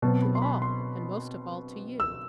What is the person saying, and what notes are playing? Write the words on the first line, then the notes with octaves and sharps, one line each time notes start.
"To all, and most of all to you."
B2 F#3 C4 A5
B5
C6
B5
C6
E6